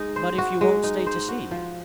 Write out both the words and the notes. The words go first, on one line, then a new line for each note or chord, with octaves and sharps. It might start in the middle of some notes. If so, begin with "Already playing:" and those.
"But if you won't stay to see!"
Already playing: G#3 D#4
C5
F#4
G#3
D#4
C5
F#4
F3